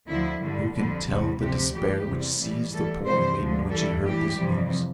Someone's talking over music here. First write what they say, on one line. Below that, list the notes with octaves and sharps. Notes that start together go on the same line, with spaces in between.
Who can tell the despair which seized the poor maiden when she heard this news!
D2 D3 F3 E4
G2 D3 G3
F2 D3 G3
E2 C3 G3
D2 C3 F3 G4
A2 E3 G3 G4
E2 C3 G3
A2 E3 G3
A2 E3 G3 A4
F2 C3 E3 G3 C5
D2 D3 F3
G2 E3 G3 A4
A2 E3 G3 G4
F2 C3 E3 G3